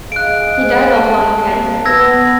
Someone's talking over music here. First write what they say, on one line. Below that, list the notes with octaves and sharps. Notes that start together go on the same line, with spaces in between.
He died of lung cancer.
G#4 D#5 F5 F#6 D7
A5
C3 A#3
B3 E6 G#6 A#6